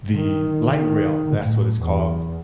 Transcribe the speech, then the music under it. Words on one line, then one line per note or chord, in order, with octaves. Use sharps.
the Light Rail that's what it's called,
D#3
D#3
A2
E2